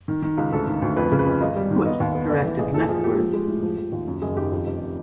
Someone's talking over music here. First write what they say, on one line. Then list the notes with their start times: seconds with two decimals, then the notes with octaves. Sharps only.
Foot directed leftwards.
0.08 D#3
0.22 D#3
0.37 C#2
0.52 D2 A4
0.67 D#3
0.82 D2
0.97 F2 B4
1.12 C#3
1.19 B4
1.26 F2
1.41 G#1 D#5
1.56 G3
1.71 D#3
1.85 B3 D#5
2.00 D#2
2.15 B3
2.30 A1 D5
2.45 E3
2.59 A1 G#4
2.74 A#2 A4
2.89 F3 G#4
3.04 A#3 G4
3.18 F3
3.33 G#3
3.48 A2
3.63 F3
3.78 F3
3.92 D#2
4.07 F#2
4.22 F#1 G#4
4.37 D#3 G4
4.52 F2
4.67 F1